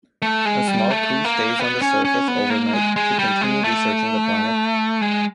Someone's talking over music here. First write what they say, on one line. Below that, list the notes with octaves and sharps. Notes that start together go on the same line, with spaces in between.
A small crew stays on the surface overnight to continue researching the planet.
A3
G#3
G3
A3
A#3
B3
C#4
C#4
B3
A#3
G#3
G#3
G3
G#3
A3
G#3